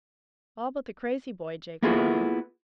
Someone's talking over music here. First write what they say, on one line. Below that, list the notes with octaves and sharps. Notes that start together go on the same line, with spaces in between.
"All but the crazy boy," Jake put in.
A#3 B3 E4 F4 G#4 A4